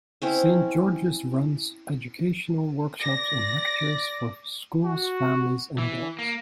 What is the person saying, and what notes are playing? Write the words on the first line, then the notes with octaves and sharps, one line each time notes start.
Saint George's runs educational workshops and lectures for schools, families and adults.
C4 C#4 E4
D5 A#6
F#4
E3
A#3